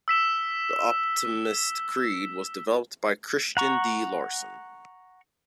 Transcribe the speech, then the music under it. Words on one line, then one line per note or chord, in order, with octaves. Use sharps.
The Optimist Creed was developed by Christian D. Larson.
E6 B6 E7 G7
F#5 A#5 C#6